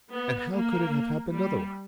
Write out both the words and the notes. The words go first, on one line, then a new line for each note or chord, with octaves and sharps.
And how could it have happened otherwise?
B3
A#3
G3